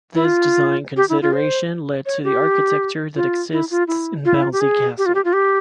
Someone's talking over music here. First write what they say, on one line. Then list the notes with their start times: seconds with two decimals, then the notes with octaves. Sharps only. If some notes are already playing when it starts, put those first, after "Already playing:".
This design consideration led to the architecture that exists in Bouncy Castle.
0.15 E4
0.25 F4
0.97 G4
1.09 E4
1.22 F4
1.33 C5
2.06 C#5
2.24 G4
3.16 F4
3.52 E4
3.71 F4
3.88 E4
4.25 F4
4.34 E4
4.42 F4
4.52 G4
4.61 G#4
4.98 G4
5.06 F4
5.15 G4
5.25 F4
5.33 G4